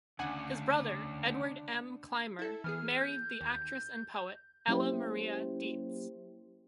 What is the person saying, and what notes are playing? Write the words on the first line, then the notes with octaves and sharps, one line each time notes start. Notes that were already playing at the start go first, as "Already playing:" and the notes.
His brother, Edward M. Clymer, married the actress and poet, Ella Maria Dietz.
D2 C#3 D4 F#5 G#5
E4 A4
E3 B3 G#4 F6
G6
D#2
F#3 A#3 C#4 E4 G4 C5